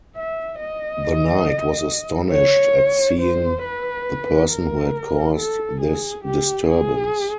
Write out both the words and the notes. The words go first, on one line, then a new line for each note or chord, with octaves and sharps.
The knight was astonished at seeing the person who had caused this disturbance.
E5
D#5
C#5
C5
B4
A#4
A4
G#4
G4
G#4